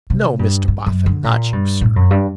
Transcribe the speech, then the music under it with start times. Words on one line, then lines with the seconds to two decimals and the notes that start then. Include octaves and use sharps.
'No, Mr Boffin, not you sir.
0.10 C3
0.39 G2
0.68 G2
0.86 F#2
1.06 D3
1.24 A#2
1.53 G2
1.81 A2
1.96 F#2
2.11 G2